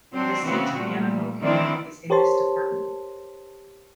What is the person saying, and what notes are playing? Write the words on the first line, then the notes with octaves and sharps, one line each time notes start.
The Santa Ana Volcano is in this department.
F#3 C4 D4
C#3 E3 B3 C4 F#4
A#2 G3 A3
D#3 E3 C4 D4 E4 D5
G4 A#4 C5 C#5 A5 C6